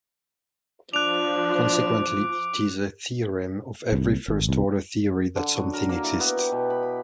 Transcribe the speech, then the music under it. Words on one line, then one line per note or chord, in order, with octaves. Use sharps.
Consequently, it is a theorem of every first-order theory that something exists.
F3 D4 D6 F#6 F7
C2
G#1
C2
D3
F#3
A#4
A#3
E4
B3
G4
B2
B5
B5